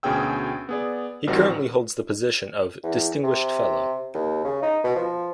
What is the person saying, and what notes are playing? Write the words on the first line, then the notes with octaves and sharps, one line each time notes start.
He currently holds the position of distinguished fellow.
D2 B2 C#4 G#4 G5 E6
B3 G#4 D5
A1 D#3 G3 C4 F#4
E2
C3
D#2
C#3
D#4
B2
F3